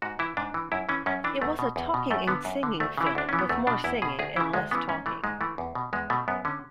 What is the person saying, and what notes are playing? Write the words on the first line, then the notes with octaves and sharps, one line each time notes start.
It was a talking and singing film with more singing and less talking.
G#2 F#4
E3 E4
G#2 D4
E3
F#2 E4
E3 C#4
F#2 C#4
E3 D4
E2 A3
B2
E2
B2
F#2 A3
D3 B3
F#2
D3
D2 A3
C#3 E3
E4
D2 D4
C#3 E3 C#4
B3
E2 A3
B2 D4
E2 E4
B2 G#4
D2 G#4
C#3 E3 E4
D2 G#3
C#3 E3 B3
G#2 C#4
E3 A3
G#2 G#3
E3 A3
E2
B2
E2 G#3
B2 A3
F#2 B3
D3 C#4